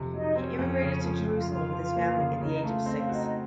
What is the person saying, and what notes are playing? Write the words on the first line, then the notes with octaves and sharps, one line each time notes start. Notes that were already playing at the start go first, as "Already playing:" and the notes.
He immigrated to Jerusalem with his family at the age of six.
Already playing: F2 C3
F#3 D#4 D#5
C4 C#4 C#5
F2 C#4 C#5
C#3
F3 C#4 C#5
F2
F4 F5
C#3 F4 F5
F3
A#3
C#3
C#3 D#4 D#5
A3 F4 F5
C4 D#5
F5
D#4 F#4 D#5
D#5